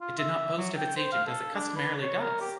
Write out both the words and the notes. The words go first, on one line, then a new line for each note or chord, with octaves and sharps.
It did not boast of its agent as it customarily does.
F4
E5
F#3
G5
C5
F5
A4
D4
B4
C#5
A#4
G4